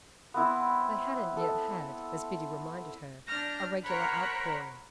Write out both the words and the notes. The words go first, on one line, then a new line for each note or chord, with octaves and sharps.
They hadn't yet had, as Biddy reminded her, a regular outpouring.
B3 C4 E4
A4
D4 F6 G6 A#6
A#4 C5 C#5 F#5 A#5 B5